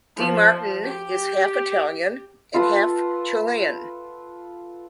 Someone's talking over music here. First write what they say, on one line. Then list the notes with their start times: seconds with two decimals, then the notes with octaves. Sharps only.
De Martin is half Italian and half Chilean.
0.18 F3
0.85 G4
2.54 F4 A4 B4 F#5